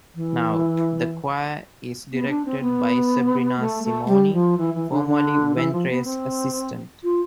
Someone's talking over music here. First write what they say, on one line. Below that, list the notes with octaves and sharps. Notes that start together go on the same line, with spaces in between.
Now, the choir is directed by Sabrina Simoni, formerly Ventre's assistant.
E3
B3
D4
C4
B3
A3
A3
G3
F3
E3
E3
D3
D3
E3
F3
B3
C4
F4